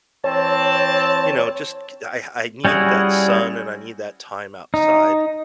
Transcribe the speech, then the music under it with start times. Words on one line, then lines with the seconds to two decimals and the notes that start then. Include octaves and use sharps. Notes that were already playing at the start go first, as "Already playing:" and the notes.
you know, just c I I need that sun, and I need that time outside.
0.24 E3 C4 C#5 A5
2.65 G3 C#4 E4 F#4 G#4
4.74 D#4